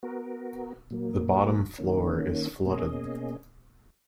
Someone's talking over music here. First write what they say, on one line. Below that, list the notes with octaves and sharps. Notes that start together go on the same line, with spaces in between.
The bottom floor is flooded.
B3 F#4 A#4
A#2 F#3 A#3
D#3 A#3 C#4
B2 A#3 C#4 G#4 D#5